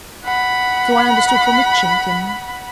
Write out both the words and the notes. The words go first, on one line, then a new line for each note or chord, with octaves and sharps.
"So I understood from Mitchington."
F#5 B5